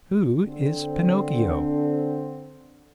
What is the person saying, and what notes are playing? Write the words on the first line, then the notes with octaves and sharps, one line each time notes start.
"Who is Pinocchio?"
D3 C4